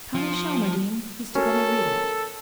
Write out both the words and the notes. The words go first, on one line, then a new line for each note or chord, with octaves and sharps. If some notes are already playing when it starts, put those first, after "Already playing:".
Connie Shelmardine used to call me Rita.
F3
C#4 F#4 A4 A#4